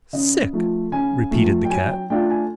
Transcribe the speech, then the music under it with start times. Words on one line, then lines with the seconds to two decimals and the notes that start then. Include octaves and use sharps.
"Sick!" repeated the Cat.
0.13 C#3 D#5
0.53 F3 A3
0.92 C#3 G#5
1.31 F3 A3
1.65 G5
1.70 F#3 G#5
1.90 G5
2.10 A3 D4 F4 G5
2.30 G#5